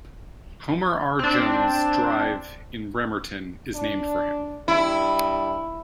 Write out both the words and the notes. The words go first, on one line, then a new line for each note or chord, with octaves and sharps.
Homer R. Jones Drive in Bremerton is named for him.
C4 D4
D4
G2 E4